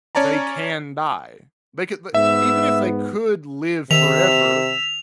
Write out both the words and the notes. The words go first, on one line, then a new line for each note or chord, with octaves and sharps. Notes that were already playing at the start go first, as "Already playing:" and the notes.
They can die. They can the even if they could live forever,
C#4 C#5 D5 A5 A#5
G#2 B3 E5 E6
C3 D#3 E6 B6 F7